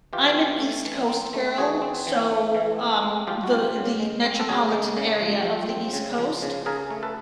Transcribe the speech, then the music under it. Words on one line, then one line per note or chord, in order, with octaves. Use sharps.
I'm an East Coast girl, so, um, the the metropolitan area of the East Coast,
E3 F4 G4
C4
A3
E3
C4
A3
E3 F#4 G#4
C4
E3
A3
E3
C4
G#3
F3 F4 G4
F#4
C#3 F4 G4
C#3
G#3
C4
A4
C#3 F#4 G#4
G#3
C#3
F3
F3
C4
C#3
F3
C#3
C#3 G#4 A#4
A3
A4 B4